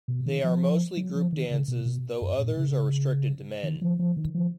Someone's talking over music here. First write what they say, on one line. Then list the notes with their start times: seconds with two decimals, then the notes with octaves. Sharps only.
They are mostly group dances, though others are restricted to men.
0.08 B2
0.26 D#3
0.44 F3
0.97 F#3
1.15 F3
1.32 D#3
1.51 C#3
1.68 B2
1.86 B2
2.22 F#2
2.39 A#2
2.57 C#3
3.63 D#3
3.82 F3
3.99 F3
4.17 D#3
4.35 F3